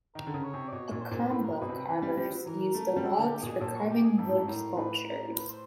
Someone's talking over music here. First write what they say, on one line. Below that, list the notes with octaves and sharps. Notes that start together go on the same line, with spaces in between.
"Akamba" carvers use the logs for carving wood sculptures.
D#3 A#4
D3
C#3
C#5
C3
D5
B2 C#5
A#2
C5
A#2
A2 B4
B2 A#4
B2 B4
C3
E3
G3
G3
F#3
E3 A#4
A3
G3
G#3 A4
D3 G4
A#2 B2 G#4
A#2 A4
F#4
G4
G#4
G#2 A4
A2
G#2
A2 A#4
A2 B4
A#4
B4
C5